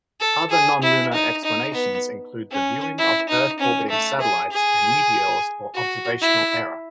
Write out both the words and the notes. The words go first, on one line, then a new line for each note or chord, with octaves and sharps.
Other non-lunar explanations include the viewing of Earth-orbiting satellites and meteors or observational error.
A4
G#4
E4
D#4
D#4
B3
C#4
E4
D#4
C#4
A3
G#4
G#4
F#4
E4